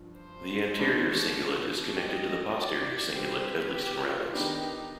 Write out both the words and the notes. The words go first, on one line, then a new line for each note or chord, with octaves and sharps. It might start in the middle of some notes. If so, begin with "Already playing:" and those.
The anterior cingulate is connected to the posterior cingulate at least in rabbits.
Already playing: G2 F3
C5
B2 G#3 B3 D4
G#2 G3 C4 G4 D#5
D5
D3 G3 C4 G4 C5
B4
G4
F4
D#3 B3 D4 D#4 G4